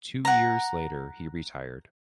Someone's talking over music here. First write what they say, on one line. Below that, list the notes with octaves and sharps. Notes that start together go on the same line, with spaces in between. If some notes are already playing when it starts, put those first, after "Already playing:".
Two years later he retired.
F#5 A#5